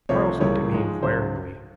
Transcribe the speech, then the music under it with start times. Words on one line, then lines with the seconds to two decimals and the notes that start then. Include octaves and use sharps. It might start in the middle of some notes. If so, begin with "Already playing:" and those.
Quarles looked at me inquiringly.
0.09 C2 C3 F3 A3 C4 C#5
0.40 C#2 C#3 E3 G3 A#3 C#5
0.72 G#2 F3 G#3
1.02 C#2 C#3 F#3 C5